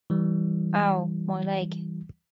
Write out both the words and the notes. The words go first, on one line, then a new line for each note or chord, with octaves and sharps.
Ow! My leg!
E3 G3